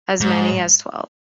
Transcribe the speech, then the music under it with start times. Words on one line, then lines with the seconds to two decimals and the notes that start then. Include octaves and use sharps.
As many as twelve.
0.21 G#2